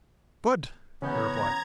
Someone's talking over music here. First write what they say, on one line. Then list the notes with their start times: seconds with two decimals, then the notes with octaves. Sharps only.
"Good!" he replied.
1.02 C#3 E3 B3 C#4 G#5 A#5 G6 G#6